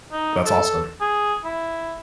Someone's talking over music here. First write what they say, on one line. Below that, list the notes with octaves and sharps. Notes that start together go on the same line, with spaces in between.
That's awesome.
D#4
A4
G#4
E4